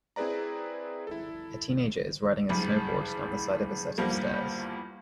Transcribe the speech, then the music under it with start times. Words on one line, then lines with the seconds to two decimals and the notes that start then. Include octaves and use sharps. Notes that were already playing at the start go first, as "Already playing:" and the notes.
A teenager is riding a snowboard down the side of a set of stairs.
0.16 C4 E4 G#4 B4 D5 A#5
1.07 E4 A4
2.49 F#1 G2
3.98 E2 G2 F3 G3 A#3